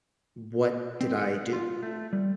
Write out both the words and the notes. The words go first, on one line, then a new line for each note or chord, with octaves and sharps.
what did I do?
C4
F#5
F4
A3
G3